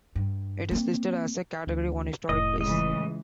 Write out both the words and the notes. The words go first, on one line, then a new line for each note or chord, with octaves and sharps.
It is listed as a Category One Historic Place.
G2
A#3 C4
D2
F1 A2 D#5
C#2 E3 D#5